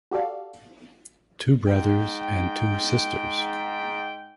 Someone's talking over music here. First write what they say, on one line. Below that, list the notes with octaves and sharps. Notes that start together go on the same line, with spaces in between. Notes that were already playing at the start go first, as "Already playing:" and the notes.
Two brothers and two sisters.
F#4 G4 A4 D5 F5
G#2 G5